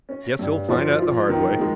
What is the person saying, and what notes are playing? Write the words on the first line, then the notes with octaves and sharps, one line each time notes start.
"Guess he'll find out the hard way."
C#4
G2
F3
F4
D#3
G#3